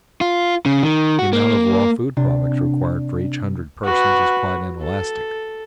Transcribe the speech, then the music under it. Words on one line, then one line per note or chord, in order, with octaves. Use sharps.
The amount of raw-food products required for each hundred persons is quite inelastic.
F4
C#3
D#3
F#4
A#3
C3 D4
F#4 B4
A4